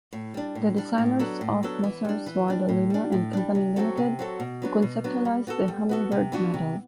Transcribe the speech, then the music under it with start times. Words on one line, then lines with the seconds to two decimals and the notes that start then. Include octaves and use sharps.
The designers of Messrs Y. DeLima and Company Limited, who conceptualised the Hummingbird Medal.
0.13 A2
0.34 G3 D4
0.55 A2
0.77 G3 D4
0.98 A2
1.19 F#3 B3 D4 A4
1.41 A2
1.63 F#3 B3 D4 A4
1.83 E3
2.05 G3 D4
2.26 E3
2.48 G3 D4
2.69 A2
2.90 G3 D4
3.12 A2
3.33 G3 D4
3.55 C3
3.76 F#3 C4 F#4 A4
3.97 C3
4.19 F#3 C4 F#4 A4
4.40 B2
4.62 F#3 B3 D4
4.82 B2
5.04 F#3 B3 D4
5.25 G3
5.47 B3 F#4 A4
5.68 G3
5.89 B3 F#4 A4
6.12 C3
6.32 E3 B3 D4 F#4
6.54 C3